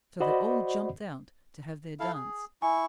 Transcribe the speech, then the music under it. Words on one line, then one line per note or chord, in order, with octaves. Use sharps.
So they all jumped out to have their dance.
F#4 C5 D5 D#5 F#5 B5
E4 A4 F5
G#4
E4 G#5 C#6